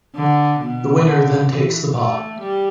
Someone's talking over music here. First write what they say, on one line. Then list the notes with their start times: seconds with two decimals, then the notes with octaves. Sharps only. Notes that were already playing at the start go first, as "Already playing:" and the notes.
The winner then takes the pot.
0.15 D3
0.60 B2
1.04 D3
1.49 E3
1.94 A3
2.39 G3